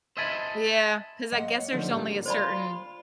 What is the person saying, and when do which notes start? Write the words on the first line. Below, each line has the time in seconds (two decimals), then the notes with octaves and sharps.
Yeah, 'cause I guess there's only a certain
0.17 C5 D#5 E5 G#5 A5 B5
1.32 G#3 A#3 D#5 F#5
1.50 C#5
1.72 D3 D#3 F3 A3 C#4
1.88 A2 G3 A#3
2.26 F4 C5 D5 B5